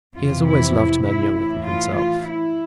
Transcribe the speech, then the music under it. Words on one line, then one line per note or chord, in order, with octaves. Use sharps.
He has always loved men younger than himself.
F2 C3 E3 F4
E4
E4
E4
A2 E3 E4
F4
F4
E4